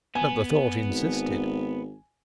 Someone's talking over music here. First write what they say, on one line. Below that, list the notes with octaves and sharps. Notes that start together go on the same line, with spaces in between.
But the thought insisted.
B3 G#5
G#1